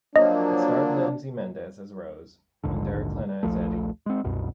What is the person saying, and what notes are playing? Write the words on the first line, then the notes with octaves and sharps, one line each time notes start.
It starred Lindsay Mendez as Rose and Derek Klena as Eddie.
F3 F#3 A#3 D4 D#5
A#1 D#2 G#2 D3
A#1 D#2 F3 A3
G#3 C4
C2 F#2 B2